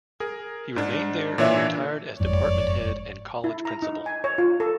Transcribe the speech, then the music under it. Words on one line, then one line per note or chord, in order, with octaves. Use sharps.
He remained there and retired as department head and college principal.
G#4 A#4
G#2 D4
A#2 E3 D4 C#5 E5
F#1 F2 G#2 C#5 D5
E4
A#5
D#4
G#5
C#5
F4
A4